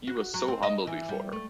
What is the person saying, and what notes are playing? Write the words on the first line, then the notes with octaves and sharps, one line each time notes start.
He was so humble before her.
F#4
F#3
C4
D#5
E3
G3
A3